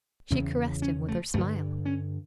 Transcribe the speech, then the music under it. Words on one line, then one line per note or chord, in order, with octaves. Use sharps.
She caressed him with her smile.
E2 C#3 C#4
C#4
A3
G2 D3 A3
C#4